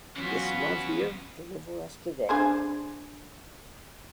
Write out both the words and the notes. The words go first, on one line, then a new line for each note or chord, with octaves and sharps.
This love here deliver us today.
E3 F#3 B3 C#4 F4 F#4
D4 G#4 C5